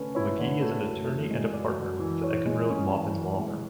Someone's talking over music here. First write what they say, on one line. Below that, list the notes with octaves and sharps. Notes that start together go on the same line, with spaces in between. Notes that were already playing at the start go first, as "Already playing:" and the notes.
Magee is an attorney and a partner with the Eckenrode-Maupin Law Firm.
Already playing: D3 A3 C#4 B4
E4 C#5
D3
A3
F#2
E3
G#3
F#2 D5
F#2
E3
E3 C#5
G#3
C#4
E3
E3
G#3